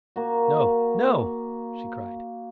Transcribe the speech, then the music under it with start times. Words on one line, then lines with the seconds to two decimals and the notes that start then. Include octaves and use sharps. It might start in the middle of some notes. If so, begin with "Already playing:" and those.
"No, no," she cried.
0.16 A#3 F#4